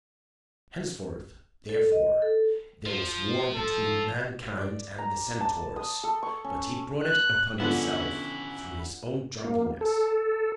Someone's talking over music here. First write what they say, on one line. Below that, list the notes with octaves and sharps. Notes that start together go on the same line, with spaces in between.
Henceforth, therefore, there was war between mankind and the centaurs, but he brought it upon himself through his own drunkenness.
A4
D#5
A4
F3
A4
D5
A#5
A5
D#6
A4
C#6
C#4
F#6
D3 F3 B3 C#4 E4
A#3
A4